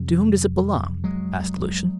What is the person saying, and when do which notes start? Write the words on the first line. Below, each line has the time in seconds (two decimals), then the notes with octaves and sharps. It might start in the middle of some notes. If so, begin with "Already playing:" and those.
"To whom does it belong?" asked Lucian.
Already playing: F2 C3 F#3
1.04 F#3 G#3